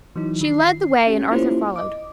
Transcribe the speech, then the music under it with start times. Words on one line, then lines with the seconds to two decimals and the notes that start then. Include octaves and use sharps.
She led the way and Arthur followed.
0.16 E3 F#3 D#4
0.41 D#3 C7
1.07 C#4 G4
1.31 A#3 C#4 E4 F4 G4 C5
1.76 D#5 D6